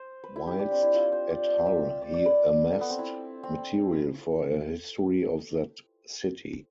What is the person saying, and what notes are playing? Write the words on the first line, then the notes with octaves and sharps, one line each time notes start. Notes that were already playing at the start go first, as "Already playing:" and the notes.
Whilst at Hull he amassed material for a history of that city.
Already playing: C5
B4
E4
G4
D4
C4
E4
F4
C5
D5
E5
D5
D5
B4
A4
B3
C4
E4
C4